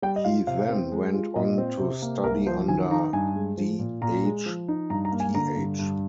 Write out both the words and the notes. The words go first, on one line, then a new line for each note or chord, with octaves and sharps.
He then went on to study under D. H. Th.
G3 G5
D#5
F4 F5
C3 F5
C4
G#3
F4
A#2 D#5
C4
C3
A#3
C2 A#4
F3 C5
D#3 G#5
D#4 A#5
G2 G#5
G#3
F3
A#2
A#2 A#5
G#3
F3
D#4
G2 A#5
A#5
A#3
G#5
D3 A#5
G2
G2